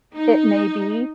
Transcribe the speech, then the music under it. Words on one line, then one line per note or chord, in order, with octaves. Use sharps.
it may be,
D#4